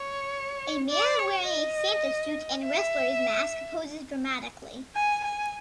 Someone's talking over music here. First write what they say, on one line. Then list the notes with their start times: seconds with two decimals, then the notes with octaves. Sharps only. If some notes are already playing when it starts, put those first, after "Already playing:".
A man wearing a Santa suit and wrestler 's mask poses dramatically.
Already playing: C#5
0.89 D5
1.18 C#5
1.47 D#5
2.63 E5
4.95 G#5
5.24 G#5